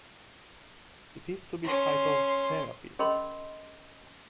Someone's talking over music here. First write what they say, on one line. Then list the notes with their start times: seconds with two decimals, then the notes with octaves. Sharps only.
It is to be titled "Therapy".
1.64 C#4 C6
2.99 C#4 G#4 A#4 D#5 B5 C6